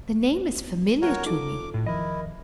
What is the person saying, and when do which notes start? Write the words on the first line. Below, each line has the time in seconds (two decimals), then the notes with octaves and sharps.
The name is familiar to me.
1.02 F4 F#4 A#4 C#5
1.26 D#4 F4 A4 D6
1.74 A2
1.86 E2 D#3 F3 E4 A#4 D#5